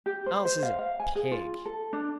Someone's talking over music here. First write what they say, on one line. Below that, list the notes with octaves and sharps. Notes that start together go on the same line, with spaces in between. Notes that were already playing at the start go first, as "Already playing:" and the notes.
Alice is a pig.
G4
C5
C5
F5
F5
G#5
G#4
F4
A4
D4